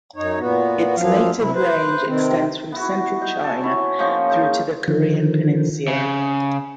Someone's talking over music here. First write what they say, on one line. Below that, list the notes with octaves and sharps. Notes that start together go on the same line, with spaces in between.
Its native range extends from Central China through to the Korean peninsula.
F#2 D#4 C#5
A#2 B3 F#4
F#2 F3 F#3 F5
C3 E4
B4 C5
C3 D#3 C4
B3 E4 F#4
D#4
A4 G#5
E4 C#5
F3 A#3 C#4 D#4
D#4 G#4 A#4
D3 D#3 F3
C#3